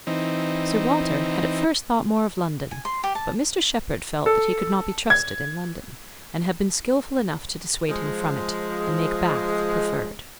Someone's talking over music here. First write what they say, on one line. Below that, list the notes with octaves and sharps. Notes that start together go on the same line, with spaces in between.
Sir Walter had at first thought more of London; but Mr Shepherd felt that he could not be trusted in London, and had been skilful enough to dissuade him from it, and make Bath preferred.
E3 C4 D#4
G#5
C6
G4
A5
A4
G#6
F3 G#3